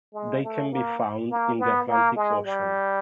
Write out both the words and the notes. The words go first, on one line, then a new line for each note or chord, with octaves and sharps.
They can be found in the Atlantic Ocean.
G#3
A3
A#3
A#3
B3
A#3
G#3
G3